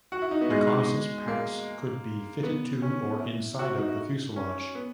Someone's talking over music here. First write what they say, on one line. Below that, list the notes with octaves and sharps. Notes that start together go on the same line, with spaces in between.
Reconnaissance packs could be fitted to, or inside of, the fuselage.
F#4
E4
D#4
B3
G#3
A#3
B3
C#4
E4
F#4
E4
D#4
E4
C#4
B3